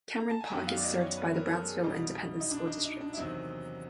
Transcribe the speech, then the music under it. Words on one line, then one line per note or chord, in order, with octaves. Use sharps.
Cameron Park is served by the Brownsville Independent School District.
A#5
A5
G#5
F#2 D#3 F#3 B3 G5
F5
D5
D#5
C#5
B4
A#4
A#4
A4
G#4
C2 B2 G3 D#4
D#4
D4
D#4
D#4
D4
E4
E2 C3 D#3 F#3 D#4